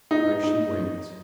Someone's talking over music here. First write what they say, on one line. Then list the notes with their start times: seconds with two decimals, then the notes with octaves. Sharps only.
So she went.
0.11 D#4
0.43 D#4